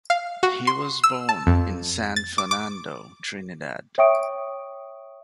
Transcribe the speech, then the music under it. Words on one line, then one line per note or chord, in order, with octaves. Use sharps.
He was born in San Fernando, Trinidad.
F5
F#4
C6
E6
A5
F2
A6
D6
D6
C#5 E5 G5 C#6 D#6 D7